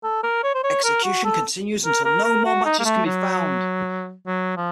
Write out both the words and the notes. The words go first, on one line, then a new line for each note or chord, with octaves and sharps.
Execution continues until no more matches can be found.
A4
A#4
C#5
C5
C#5
A#4
F#4
A4
A#4
A#4
A#4
F#4
D#4
A#3
A3
F#3
F#3
F3